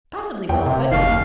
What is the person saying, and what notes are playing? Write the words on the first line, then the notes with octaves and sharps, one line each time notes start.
"Passably well put."
E2 G5
C3
F#1 D#2 D#3 F5